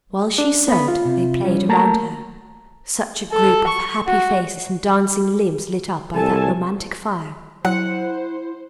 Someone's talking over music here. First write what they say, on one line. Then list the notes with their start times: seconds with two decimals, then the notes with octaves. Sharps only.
While she sewed they played around her; such a group of happy faces and dancing limbs lit up by that romantic fire.
0.38 D4
0.68 B3 B5
0.88 F4
1.05 C3
1.40 G3 C#4
1.69 A3 A#3 A5 A#5
3.32 A4
3.67 C#6
4.07 F#4
6.15 C2 A4 G#5 A5
7.65 F#3 E4 C5 F#5